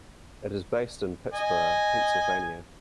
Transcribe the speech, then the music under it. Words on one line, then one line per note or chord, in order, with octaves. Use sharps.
It is based in Pittsburgh, Pennsylvania.
D#5 G#5